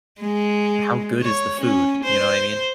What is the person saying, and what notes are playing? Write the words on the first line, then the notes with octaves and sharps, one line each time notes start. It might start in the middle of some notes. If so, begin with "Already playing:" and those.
How good is the food? You know what I mean?
G#3
C#5
C#4
C5